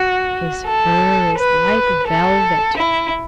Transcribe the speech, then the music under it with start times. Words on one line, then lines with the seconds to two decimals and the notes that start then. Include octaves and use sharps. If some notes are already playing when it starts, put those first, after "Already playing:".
His fur is like velvet.
Already playing: F#4
0.67 A4
1.38 B4
2.08 A4
2.77 E4